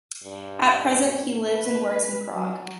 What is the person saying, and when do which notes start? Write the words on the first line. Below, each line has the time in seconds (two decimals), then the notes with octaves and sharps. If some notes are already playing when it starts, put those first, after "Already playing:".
At present he lives and works in Prague.
0.24 G2
1.53 B4
2.34 F#3